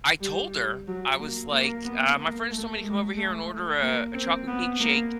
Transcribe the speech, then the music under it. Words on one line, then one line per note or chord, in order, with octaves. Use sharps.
I told her. I was, like, "Uh, my friends told me to come over here and order a a chocolate cake shake."
G3
F#3
A#3
A#3
B3
A#3
A3
G#3
A3
A#3
C4
B3
A#3